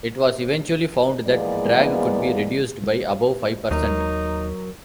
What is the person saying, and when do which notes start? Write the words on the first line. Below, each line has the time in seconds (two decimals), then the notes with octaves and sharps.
It was eventually found that drag could be reduced by about five percent.
1.27 E2 F3 G#3 A#3 B3 D5
3.71 D#2 F#3 D#4 A#4